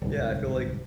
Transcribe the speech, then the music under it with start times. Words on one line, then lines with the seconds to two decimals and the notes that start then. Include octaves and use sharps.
Yeah, I feel, like,
0.02 D1 C2 G#2